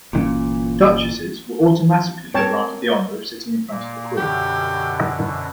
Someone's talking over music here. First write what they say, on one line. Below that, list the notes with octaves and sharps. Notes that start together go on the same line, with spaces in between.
Duchesses were automatically granted the honor of sitting in front of the queen.
G1 A#2 E3 C#4
C4 A#4 C#5 G5 A5
A#2 A#3
F#2 B2 D3 G4